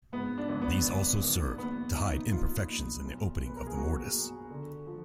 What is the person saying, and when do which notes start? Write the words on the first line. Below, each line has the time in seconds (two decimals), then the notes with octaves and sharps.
These also serve to hide imperfections in the opening of the mortise.
0.12 G#2 B3
0.38 D4
0.49 G#1
0.62 B3
0.86 G#1
1.22 D#3
1.58 A#1 B3
1.95 A#1 D#4
2.31 A#1 F4
2.68 A#1
3.05 B1
3.41 B1
3.46 B4
3.56 A#4
3.67 G#4
3.77 B1 F#4
4.14 B1
4.50 D3
4.86 F3